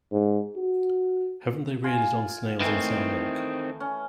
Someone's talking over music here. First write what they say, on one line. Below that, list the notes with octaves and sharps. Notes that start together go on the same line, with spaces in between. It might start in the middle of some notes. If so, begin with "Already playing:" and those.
Haven’t they reared it on snails and sour milk?
G#2
F#4
F4 G#5
D#3 E3 A3 C4
C#4